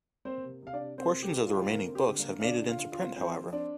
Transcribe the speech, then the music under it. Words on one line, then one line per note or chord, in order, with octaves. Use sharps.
Portions of the remaining books have made it into print, however.
A#3 C4 C5
C3
C3 F5
D4 D5
C3
A#3 C4 C5
C3
G4
A#3
F4
C3 G4
F4
D3 A#3 A#4
C4
G4
D3
A#3 A#4
D3
F5
D3 D4 D5
D3
F4 F5
D3
F4
C4
F3 C4 C5
F3
C4 D4 D5